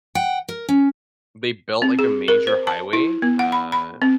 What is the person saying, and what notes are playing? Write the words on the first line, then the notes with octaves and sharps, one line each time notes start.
they built like, a major highway, uh,
F#5 G5
A#4
C#4
C4
G#4
A#4
C5
A5
E4
B3
F#5
B5
B5
C4